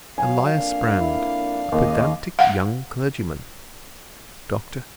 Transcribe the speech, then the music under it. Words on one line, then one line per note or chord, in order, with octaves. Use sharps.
ELIAS BRAND, a pedantic young clergyman. DR.
F#3 F5 G#5
F2 A#3 D4
E4
D#2 C#3 G4 D#5
F5 F#5